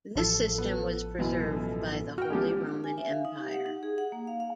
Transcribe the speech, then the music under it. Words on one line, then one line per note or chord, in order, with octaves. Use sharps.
This system was preserved by the Holy Roman Empire.
A1 F3 A4
B3
F#2 B2 E3
F#4 G5 F6
F3 G#3 C#4 G4
G#5
E5
F5
D#4
G4
F#5
D#4
G#4
F#5
A#3
F5
F5